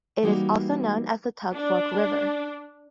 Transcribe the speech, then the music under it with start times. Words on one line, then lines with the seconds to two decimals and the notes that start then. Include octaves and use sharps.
It is also known as the Tug Fork River.
0.23 E3 G3 A#3 D#4 F#4
1.54 D4